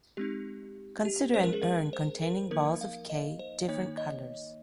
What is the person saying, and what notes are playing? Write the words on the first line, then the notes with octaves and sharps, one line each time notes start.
Consider an urn containing balls of "K" different colors.
G#3 C4 D#4 G4
G4
G#3 C#4 C5
A#4
G#4
A#4
C5
A#4
F3 A#3 D#4 A#4
F5
D#5
C5
D#3 A#3 D#4 C#5
D#5